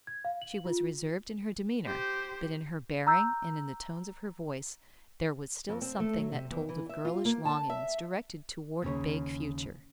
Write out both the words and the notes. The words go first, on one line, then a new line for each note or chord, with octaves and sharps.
She was reserved in her demeanor, but in her bearing and in the tones of her voice there was still something that told of girlish longings directed toward a vague future.
G#6
F5
F#7
F4
G4 C5
A#5 E6 G6
F2
C4
A3
F#3
C3
E2
E3
E5
F4
A#3
A5
E5
D#2 C#3 C#5